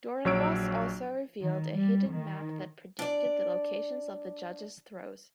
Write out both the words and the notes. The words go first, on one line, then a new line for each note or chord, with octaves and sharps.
Dorenbos also revealed a hidden map that predicted the locations of the judges' throws.
A#1 F#3 C#5 E6 D7
D#3
G3
D#3
D4 D5